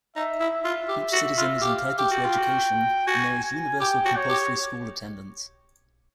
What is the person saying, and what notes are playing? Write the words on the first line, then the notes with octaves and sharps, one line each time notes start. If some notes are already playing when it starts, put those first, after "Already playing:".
Each citizen is entitled to education and there is universal compulsory school attendance.
D#4 E5
E4
F4
G4
F#4
F4
G4 F5
G4 G5
F#4
F4
F#4
F#4 G#5
G#5
G4 G5
F#4
C#5
G4